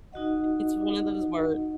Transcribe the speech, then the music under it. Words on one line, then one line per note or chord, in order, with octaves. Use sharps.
It's one of those words.
D#4 F#4 D#5 F#5